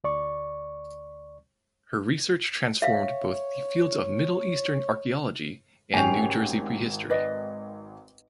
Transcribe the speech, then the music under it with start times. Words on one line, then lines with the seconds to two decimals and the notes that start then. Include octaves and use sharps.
Her research transformed both the fields of Middle Eastern archaeology and New Jersey prehistory.
0.04 D2 D5 C#6
2.82 C#5 E5 F5
5.94 G#1 C#4 G4 G#5 C7 F7
7.10 B4 D5 D#5